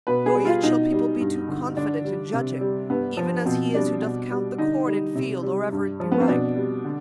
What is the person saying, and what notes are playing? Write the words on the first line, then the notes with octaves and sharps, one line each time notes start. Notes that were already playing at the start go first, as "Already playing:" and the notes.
Nor yet shall people be too confident In judging, even as he is who doth count The corn in field or ever it be ripe.
B2 B4
G#4
G3
F4
B2 D#4
G3
G2
D3
D3 D4
G3
C3
G3
G2 B3
F3
B2 C4
G3 D4
B2
G3
D3 D#4
G3
C3
G3
G2
F3
B3
C4
B2 D4
G3
D3